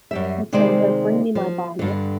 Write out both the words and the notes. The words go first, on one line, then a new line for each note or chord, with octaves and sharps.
Matilda, bring me my bonnet.
F#2 G3 E5
C3 D#3 G#3 G#4 C5 D5
F3
G2 D3